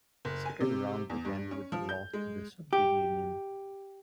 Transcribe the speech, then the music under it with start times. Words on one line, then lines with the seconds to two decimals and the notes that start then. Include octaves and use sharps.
The second round began with a loss to the Soviet Union.
0.25 F#1
0.46 G#5
0.61 C3
1.10 E2
1.25 G2
1.51 C#4
1.72 F3
1.89 G6
2.13 G#3
2.73 G4